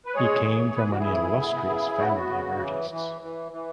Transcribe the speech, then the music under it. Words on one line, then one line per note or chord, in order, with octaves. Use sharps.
He came from an illustrious family of artists.
B4
G#3 G#4 C#5
E3
E3 B4
G#4
F#4
E4 G#4
E3
B3
C#3
B3 F#4
E4
F#4
C#3
E3
E3
E3
E3